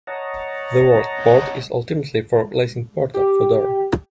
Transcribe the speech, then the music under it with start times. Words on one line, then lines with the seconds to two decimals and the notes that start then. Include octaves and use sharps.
The word "port" is ultimately from Latin "porta" for door.
0.07 C#5 D#5 F#5 A5 A#5
3.14 G4